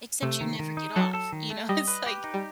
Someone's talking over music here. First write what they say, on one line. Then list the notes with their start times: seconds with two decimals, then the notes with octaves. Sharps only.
Except you never get off, you know, it's like,
0.22 C3 A3
0.41 D#3
0.59 D#3
0.77 D#4
0.96 F#3 A4
1.14 A4
1.32 D#3
1.50 A3
1.69 G3 D#5
1.88 B4
2.06 G4
2.24 D#4
2.34 G3